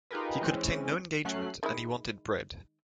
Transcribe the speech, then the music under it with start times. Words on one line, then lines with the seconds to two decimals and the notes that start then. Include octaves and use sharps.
He could obtain no engagement, and he wanted bread.
0.11 D#4 F4 G4 G#4 A#4 B4
0.41 E3 G#3 C4 C#4
1.25 F#3 A3 C#4 F#6 C7
1.63 D#3 G#3 E4